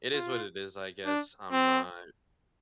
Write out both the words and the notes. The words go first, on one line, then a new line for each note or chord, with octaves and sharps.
it is what it is, I guess, I'm not
F4
D4
C4